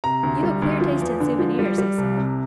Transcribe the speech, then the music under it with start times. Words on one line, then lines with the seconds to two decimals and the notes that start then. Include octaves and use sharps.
'You've a queer taste in souvenirs,' I said.
0.04 C3 A#5
0.23 D2
0.43 G3
0.62 D2
0.81 F3
1.00 E2
1.20 D3
1.39 F3
1.59 G3
1.78 G3
1.98 C2
2.17 C3